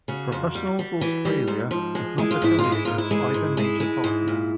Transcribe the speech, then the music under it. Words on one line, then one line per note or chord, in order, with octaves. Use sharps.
Professionals Australia is not affiliated to either major party.
C#3 F#4
F2
G3
G3
E3
G3
G#2
F3
G#3
G#3 E4
F4
G#2 E4
F4
G#3
E4
G#2 F4
E4
G#3
G#2
G#3 E4
G#3
G#2
A#2